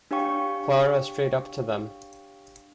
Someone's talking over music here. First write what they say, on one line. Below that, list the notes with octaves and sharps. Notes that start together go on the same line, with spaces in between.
Clara strayed up to them.
D4 G4 C#5 F5 G5 C#6